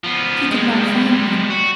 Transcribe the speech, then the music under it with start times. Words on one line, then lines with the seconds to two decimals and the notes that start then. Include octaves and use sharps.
He could not find one.
0.04 F3 B3
0.51 G3 G#3
1.50 F#4